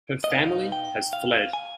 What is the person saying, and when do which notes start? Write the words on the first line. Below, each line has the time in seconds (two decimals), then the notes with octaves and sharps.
Her family has fled.
0.24 D#5
0.30 B2 B3 D#4 F5
0.72 G5
1.13 F5
1.53 G#5